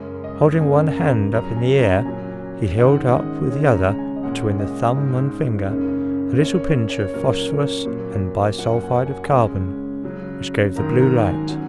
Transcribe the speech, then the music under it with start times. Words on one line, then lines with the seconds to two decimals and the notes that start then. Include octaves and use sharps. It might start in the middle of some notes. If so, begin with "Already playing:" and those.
Holding one hand up in the air, he held up with the other, between the thumb and finger, a little pinch of phosphorus and bi-sulphide of carbon, which gave the blue light.
Already playing: F#2 C#3 G#3 C#4 A#4
0.24 D#5
0.60 F#2 C#3 A#3 G#5
0.96 A#5
1.33 C#3 F#3 C#4 A#5
1.57 G#5
1.81 A#5
2.05 A#2 F#3 C#4 G#5
2.78 G#2 D#3 G#3 C#4 F#5
3.14 D#5
3.50 C#3 G#3 C#4 C#5
3.75 A#5
3.99 G#5
4.16 D#5
4.23 A#2 G#3 C#4 F#5
4.59 D#5
4.96 G#2 G#3 C#4
5.68 F#2 C#3 A#3 C#4
6.40 F#2 C#3 A#3 C#4 C#5
6.64 C#5
6.90 C#5
7.14 A#2 F#3 A#3 C#4 A#4
7.41 A#4
7.50 C#5
7.85 A#2 F#3 A#3
8.59 F#2 F#3 A#3 C#4 F#5
8.73 F#5
8.83 G#5
9.06 G#5
9.30 C#3 G#3 C#4
10.04 C#3 F#3 C#4
10.76 G#2 D#3 F#3 A#3 A#5
11.00 A#5
11.25 G#5
11.49 F#3 C#4 F#5